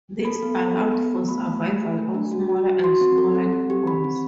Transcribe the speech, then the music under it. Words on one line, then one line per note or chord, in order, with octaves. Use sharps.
This allowed for survival of smaller and smaller newborns.
A4 B5
B3
A4
B3
B3
B3
A3 B5
A3
A3
A3
A3
D4
F#4
F#4
F#4
F#4 C6
C4
A4
C4
C4
G4
G4 B5
C4